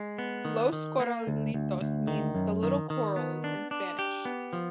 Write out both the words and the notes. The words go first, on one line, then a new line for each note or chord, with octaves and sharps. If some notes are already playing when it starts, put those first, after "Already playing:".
"Los Corralitos" means "the little corrals" in Spanish.
Already playing: G#3
B3
D#3
D#3
A#3
D2
D2
D2
D#3
F#2
D#3
D#3
B3
D4
D4
G4
B3
F3